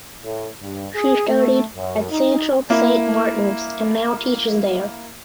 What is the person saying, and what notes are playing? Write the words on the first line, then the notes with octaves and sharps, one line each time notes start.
She studied at Central Saint Martins and now teaches there.
A2
G2
G#4
A3
F#2
D#4
A#3 E4